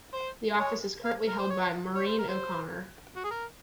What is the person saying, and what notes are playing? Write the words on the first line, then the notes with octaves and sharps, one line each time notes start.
The office is currently held by Maureen O'Connor.
C5
C#5
F5
A#4
C5
C#5
C#5
C5
A#4
C5
F#4
G#4
A#4